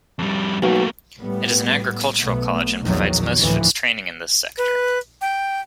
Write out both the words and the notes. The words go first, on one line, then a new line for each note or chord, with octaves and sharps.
It is an agricultural college and provides most of its training in this sector.
F2 G3
B1 A3 A#3
A2 G3 B3
B1 A3 B3
A#1 E2 A#2 D#3 F#3
D2 A2 E3 F3
B4
G5